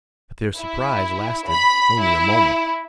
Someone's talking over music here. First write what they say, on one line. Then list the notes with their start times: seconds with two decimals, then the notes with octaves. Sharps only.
But their surprise lasted only a moment.
0.57 E4
1.47 B5
2.00 E4